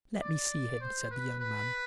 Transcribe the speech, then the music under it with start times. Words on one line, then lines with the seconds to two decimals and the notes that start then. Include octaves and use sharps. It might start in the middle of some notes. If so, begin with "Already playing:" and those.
"Let me see him," said the young man.
0.21 D5
0.81 C5
1.11 B4
1.40 B4